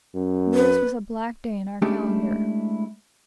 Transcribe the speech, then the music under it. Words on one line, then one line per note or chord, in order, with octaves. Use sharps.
This was a black day in our calendar.
F#2
B4
G#3 A3 C#4 D4 E4 G4